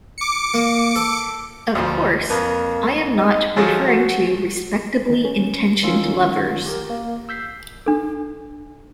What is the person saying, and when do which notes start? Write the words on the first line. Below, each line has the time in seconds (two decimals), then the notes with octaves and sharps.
Of course, I am not referring to respectably-intentioned lovers.
0.18 D6 C#7
0.54 A#3
0.96 A4
1.75 D2 F3
2.30 F2 A#3 B4
3.17 D#4
3.56 F3 F#3 G#4 A4
3.88 F#4
5.10 D#3 D#4
5.25 C#4
5.83 D#3 C#4 F4 E6
6.66 G4 A#4
6.90 A#3
7.29 E6 G6 B6 C7
7.86 D4 A4